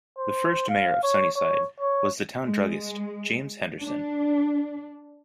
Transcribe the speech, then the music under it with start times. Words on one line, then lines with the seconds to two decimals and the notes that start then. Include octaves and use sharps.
The first mayor of Sunnyside was the town druggist James Henderson.
0.18 C5
0.69 F5
1.03 C#5
1.36 C#5
1.80 C#5
2.42 G#3
3.82 D4